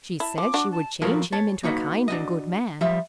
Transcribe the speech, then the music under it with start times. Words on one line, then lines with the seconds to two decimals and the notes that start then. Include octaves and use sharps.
"She said she would change him into a kind and good man."
0.20 E4 A5
0.38 F3 D6
0.54 D4 F#4
0.72 A5
1.02 F3 F4 F#4 A4 A#4 C#5
1.32 C#5 A5
1.63 A#3 D#4 F#4 B4
2.08 D4 F#4 D#5
2.81 F3 G3 E5